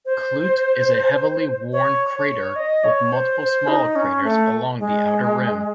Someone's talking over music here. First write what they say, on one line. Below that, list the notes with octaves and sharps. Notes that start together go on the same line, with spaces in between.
Klute is a heavily worn crater with multiple smaller craters along the outer rim.
C5
C#5
C#5
D#5
C#5
C5
C5
D#4
C#4
A3
G#3